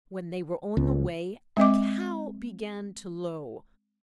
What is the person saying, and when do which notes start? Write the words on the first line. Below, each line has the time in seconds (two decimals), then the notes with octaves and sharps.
When they were on the way, a cow began to low.
0.77 C#2
1.57 G#3 C4 D#5 D6